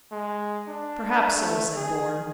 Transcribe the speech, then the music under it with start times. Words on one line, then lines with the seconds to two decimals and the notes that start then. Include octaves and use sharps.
"Perhaps so," said Bourne.
0.12 G#3
0.67 D4
1.35 A3
1.76 G#4